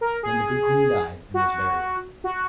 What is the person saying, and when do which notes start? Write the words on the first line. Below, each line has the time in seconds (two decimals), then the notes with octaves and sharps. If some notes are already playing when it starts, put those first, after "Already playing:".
Then the good queen died, and was buried.
0.01 A#4
0.23 G#4
1.34 F#4
2.24 F#4